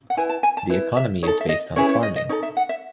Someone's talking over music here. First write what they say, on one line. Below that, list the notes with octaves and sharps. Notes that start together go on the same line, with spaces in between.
The economy is based on farming.
F#5
E4 B4 G#5
A5
G#5
A5
E4 B4
E5
D#4 A4 C#5
E5
D#5
C#4 E4 G#4 B4 C#5
C#5
D#5
D#5
D#4 A4 C#5
E5
F#5
E5